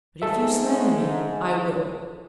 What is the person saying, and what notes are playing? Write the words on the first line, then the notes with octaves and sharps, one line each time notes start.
But if you slander me, I will.
G#2 G#4 A4 E5